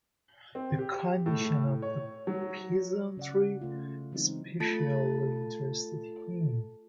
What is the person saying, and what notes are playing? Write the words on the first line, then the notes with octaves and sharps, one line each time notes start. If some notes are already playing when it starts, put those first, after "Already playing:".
The condition of the peasantry especially interested him.
C4
G4
A2
C#5
F#3
C#3 D5 F#5
C#3 A3 F4
E3 F#3 G#3 C4 D#4 E4
A3 F4 A4 A5 A6